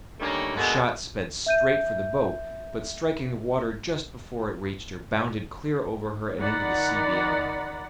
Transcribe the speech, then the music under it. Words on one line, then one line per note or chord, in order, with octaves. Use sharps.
The shot sped straight for the boat, but, striking the water just before it reached her, bounded clear over her and into the sea beyond.
D3 D#3 G3 A3 A#3 C#4
B2 D3 G#3 A#3 F#4 A4
E5 G6 D#7
D#3 D5 F#5 A#5 B5